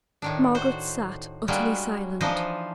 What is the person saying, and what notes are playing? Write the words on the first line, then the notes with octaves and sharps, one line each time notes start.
Margaret sat utterly silent.
A2 D#3 D4
F#4 C5
G3 G#3 A#3 D4 F#4
E3 F3 D4 D#4 C5 D#5